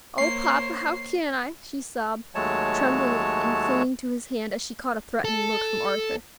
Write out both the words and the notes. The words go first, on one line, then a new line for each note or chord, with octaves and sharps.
"O papa! how can I?" she sobbed, trembling and clinging to his hand as she caught a threatening look from Arthur.
A#3 C5 C#5 C7
D#2 F#3 G#3 A3 C#5 A5
A4